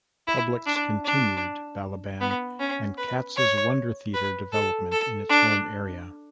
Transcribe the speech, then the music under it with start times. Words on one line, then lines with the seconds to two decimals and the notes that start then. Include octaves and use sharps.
Publix continued Balaban and Katz's wonder theater development in its home area.
0.28 E4
0.66 D4
1.05 D4
2.21 B3
2.60 C#4
2.98 B4
3.37 C#5
4.14 B4
4.53 A4
4.92 A4
5.30 D4